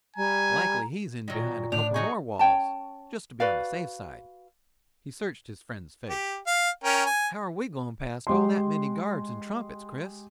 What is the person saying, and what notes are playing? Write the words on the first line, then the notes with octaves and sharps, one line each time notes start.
Likely he's in behind a couple more walls, just to be on the safe side." He searched his friend's face. "How are we going past all that many guards and trumpets, Chris?
G3 G#5 A#5
A#2 D#3 F#3
A2 D4 F7
F#3 D#4 G#4 C#6
C#4 C#5 G5 A5
F#4 B4 D5 F5
G4
F5
C#4 A#4 G5
G#5
G#3 G4 C6